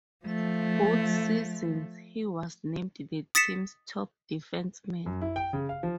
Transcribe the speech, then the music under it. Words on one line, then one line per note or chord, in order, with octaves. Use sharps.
Both seasons he was named the team's top defenceman.
F3 A3
D#6 A6 B6 C#7 E7
F#2
E4
G5
C#3
F5
F3